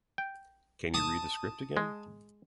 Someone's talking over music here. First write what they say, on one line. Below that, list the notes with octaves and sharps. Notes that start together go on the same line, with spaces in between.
Can you read the script again?
G5
A5 D#6
G#3